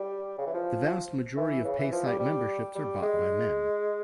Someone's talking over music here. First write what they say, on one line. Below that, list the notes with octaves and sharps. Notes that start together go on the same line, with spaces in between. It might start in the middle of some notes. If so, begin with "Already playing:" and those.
The vast majority of paysite memberships are bought by men.
Already playing: G3
C#3
E3
F3
E3
C#3
E3
F3
G3
G3
G3
G#3